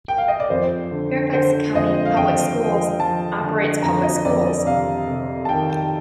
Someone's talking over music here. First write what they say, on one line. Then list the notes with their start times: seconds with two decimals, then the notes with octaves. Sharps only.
Fairfax County Public Schools operates public schools.
0.08 G5
0.18 F5
0.28 D#5
0.40 D5
0.50 F2 C5
0.91 D3
1.33 D3 C5
1.74 F2 D#5
2.05 F5
2.16 F2 G5
2.59 F3
3.00 F3 A5
3.41 D3
3.82 F2 A#5
4.03 D#5
4.25 F2 D5
4.46 D5
4.66 C3 F5
5.08 C3
5.45 A5
5.49 D#3 G5
5.70 G5